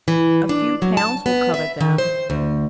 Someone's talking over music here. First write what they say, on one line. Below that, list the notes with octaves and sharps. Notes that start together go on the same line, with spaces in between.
A few pounds will cover them.'
E3
D4
F#3
A5
B3
E5
D#3
C5
D2